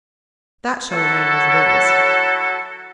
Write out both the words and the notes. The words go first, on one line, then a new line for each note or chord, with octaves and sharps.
That shall remain as it is.
F#3 E4 F#4 A4